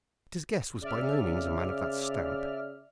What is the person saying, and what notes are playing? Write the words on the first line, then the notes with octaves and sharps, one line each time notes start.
But his guest was by no means a man of that stamp.
C#3 D5 E5 F6